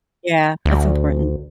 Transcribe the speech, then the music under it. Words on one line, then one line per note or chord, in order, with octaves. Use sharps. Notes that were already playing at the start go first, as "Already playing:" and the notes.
Yeah, that's important.
D2